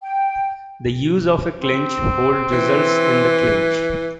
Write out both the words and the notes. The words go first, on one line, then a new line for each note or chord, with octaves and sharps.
The use of a clinch hold results in the clinch.
G5
C4
E3